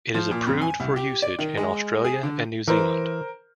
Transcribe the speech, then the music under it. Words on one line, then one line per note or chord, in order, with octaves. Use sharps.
It is approved for usage in Australia and New Zealand.
F3
A#2
F2
G#5
C2
G4
D5
D#3
G#3
G#4
D3
E3 A#4 C5